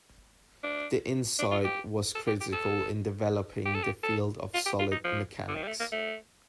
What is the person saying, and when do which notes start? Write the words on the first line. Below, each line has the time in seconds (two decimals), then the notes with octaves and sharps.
The insight was critical in developing the field of solid mechanics.
0.63 D4
1.39 D4
1.51 F4
1.64 G4
2.15 A4
2.27 G4
2.40 G4
2.52 A4
3.66 G4
3.74 A4
3.83 G4
4.04 A4
4.54 F4
4.66 G4
4.79 F4
4.91 D#4
5.04 F3
5.48 D3
5.55 D#3
5.63 G3
5.67 A3
5.79 A#3
5.92 A3